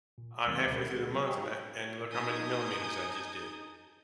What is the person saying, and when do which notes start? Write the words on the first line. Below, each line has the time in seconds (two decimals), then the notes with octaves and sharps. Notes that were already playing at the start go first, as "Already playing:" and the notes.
I'm halfway through the month and i and look how many millimeters I just did,"
0.18 A#2
0.46 D2 D#3 F#3 G#3 C4 A6
0.71 B2 D3 G#3 C#4 A#4 B5
0.89 G#4 B4 F#5
1.13 F#3
1.27 F#4 G4 D#5 G5 G#5 A#5
2.13 D#4 G#5 A5 D#6 G6 G#6